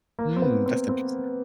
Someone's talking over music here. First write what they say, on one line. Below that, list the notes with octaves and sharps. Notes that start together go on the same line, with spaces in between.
Hmm, that's interesting.
A#3
C4
B3
C4
C4